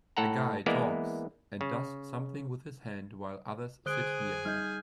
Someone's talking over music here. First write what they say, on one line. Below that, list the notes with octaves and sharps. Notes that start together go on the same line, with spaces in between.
A guy talks and does something with his hand while others sit near him.
A2 A4 F#5 A#5
E3 G#3 A#3 B3 E4 D5
C#3
D3 G#4 C5 G#5 D#6 F#6 D7 G7
G3 D#4 D#5 F6 G6